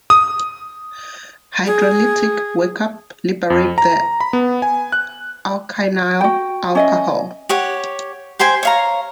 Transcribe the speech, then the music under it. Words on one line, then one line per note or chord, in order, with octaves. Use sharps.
Hydrolytic workup liberate the alkynyl alcohol.
D#6
G#4
F2
A#5
B5
B3
G#5
F#6
F#4 G5
C#4 D#5 E5
G4 C#5 F#5
G4 C5 G5 G#5
C#5 F5 A#5